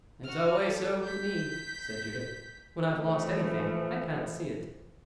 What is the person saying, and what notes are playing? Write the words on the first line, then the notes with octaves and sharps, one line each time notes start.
"It's always so with me," said Judith, "when I've lost anything, I can't see it."
F#4 F6
A4
G6 B6
E3 F3 A3